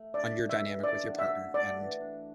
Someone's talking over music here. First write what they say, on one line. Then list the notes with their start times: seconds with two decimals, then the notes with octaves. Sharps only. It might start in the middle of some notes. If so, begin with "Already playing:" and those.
on your dynamic with your partner. And,
Already playing: A3
0.14 D4 D5
0.38 A3
0.49 E5
0.61 E3
0.84 A3 D5
1.07 F#4
1.19 E5
1.31 F#4
1.54 F#4 D5
1.77 E3
2.00 D4